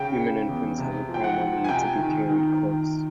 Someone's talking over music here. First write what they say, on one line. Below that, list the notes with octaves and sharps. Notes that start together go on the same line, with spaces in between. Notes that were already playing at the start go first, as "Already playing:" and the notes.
Human infants have a primal need to be carried close.
Already playing: C#3 G5
C#3
E2
C3
F3
G5
F#5
F3
G#5
C3 G5
D#3
D#3